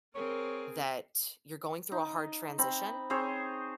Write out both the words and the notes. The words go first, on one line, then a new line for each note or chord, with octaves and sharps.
that you're going through a hard transition
C4 G#4 A#4 C#5
D#4
C4 B5
C4 G#4 C5 C#5